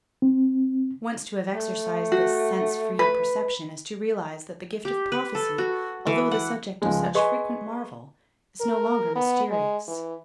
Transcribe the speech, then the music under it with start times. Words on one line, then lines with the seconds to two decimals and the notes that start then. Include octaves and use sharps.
Once to have exercised this sense-freed perception is to realize that the gift of prophecy, although the subject of such frequent marvel, is no longer mysterious.
0.22 C4
1.54 A3
2.12 F#4
2.99 B4
4.85 G4
5.12 B4
5.35 A4
5.58 F#4
6.07 E3
6.31 F#5
6.82 C#2 F3 G#3
7.15 G#4 B4 D#5 G#5 C6 C#6
8.61 A#4
9.16 B3
9.50 G#3
9.88 E3